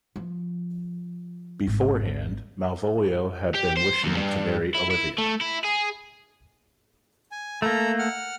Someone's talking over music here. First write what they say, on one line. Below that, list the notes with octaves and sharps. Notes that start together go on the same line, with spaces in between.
Beforehand, Malvolio had been wishing to marry Olivia.
F3
G#1
G4
C5
D#2
G2
E4
E4
A3
E4
G#4
G#5
A3 A#3 A4 A#5
F#5 F6